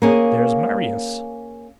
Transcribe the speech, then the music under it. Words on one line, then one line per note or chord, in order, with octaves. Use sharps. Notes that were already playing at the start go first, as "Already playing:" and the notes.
"There's Marius."
A#3 C#4 G#4